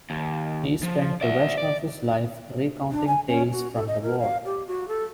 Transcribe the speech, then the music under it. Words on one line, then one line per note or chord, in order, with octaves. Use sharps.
He spent the rest of his life recounting tales from the war.
D#2
F3
D5 E5
D5
D4
G#5
C#4
F#4
A4
D#5
A#4
F5
G4
F#4
A4